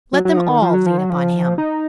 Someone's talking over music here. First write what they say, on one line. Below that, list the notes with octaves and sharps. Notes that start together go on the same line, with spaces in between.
Let them all lean upon him.
F#3
F#3
F3
D#3
F3
F#3
F3
F#3
F3
D#4